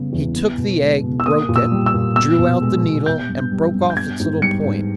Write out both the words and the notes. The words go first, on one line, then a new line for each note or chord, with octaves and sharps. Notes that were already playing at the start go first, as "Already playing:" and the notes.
He took the egg, broke it, drew out the needle and broke off its little point.
Already playing: C#3 G3 B3
E2
B3
B2
G#3
B2
E6
A#3 D#6
A#2
E6
G3
E6
A#2
B3 E6
B2
G#3
B2
B3 G6
G2
G3
G2
G6
B3 G#6
G#2
G3 C#7
G#2